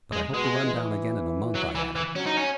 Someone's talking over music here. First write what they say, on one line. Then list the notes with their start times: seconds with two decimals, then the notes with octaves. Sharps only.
"But I hope to run down again in a month," I added.
0.13 G#3
0.34 B2 G#3
0.64 E3
1.55 F#3
1.75 E3
1.95 E3
2.15 F#3 C#4
2.26 D#4
2.37 C#4